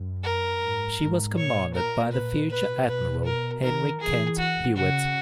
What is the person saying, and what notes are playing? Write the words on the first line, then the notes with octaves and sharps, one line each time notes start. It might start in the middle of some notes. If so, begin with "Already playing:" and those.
She was commanded by the future admiral, Henry Kent Hewitt.
Already playing: F#2
A#4
G#2
G#2
A#2 C#5
A#4
B4
B2 B4
B4
A#4
D#3 A#4
E3 G#4
F#4
C#3 F#4